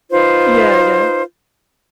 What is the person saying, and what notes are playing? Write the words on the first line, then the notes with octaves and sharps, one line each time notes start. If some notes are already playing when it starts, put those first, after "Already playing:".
Yeah, yeah.
D#4 F4 B4 C5